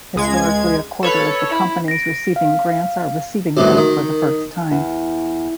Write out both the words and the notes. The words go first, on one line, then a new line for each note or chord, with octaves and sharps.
Historically a quarter of the companies receiving grants are receiving them for the first-time.
C#2 G#3 G#6
A4 B4 C#5
E4
A#6 D7
F5
A1 G2 C3 F#4
D#3 A#4
E2